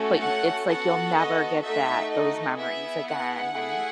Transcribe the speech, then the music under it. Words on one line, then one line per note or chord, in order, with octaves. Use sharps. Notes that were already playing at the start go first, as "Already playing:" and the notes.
but y it's, like, you'll never get that those memories again and.
Already playing: A3 C#4 F#4 A4
F#5
B3 F#4 A4 F#5
D#5
A3 D#4 F#4 A4 E5
D#5
B3 E4 G#4 E5
F#5
A3 E4 G#4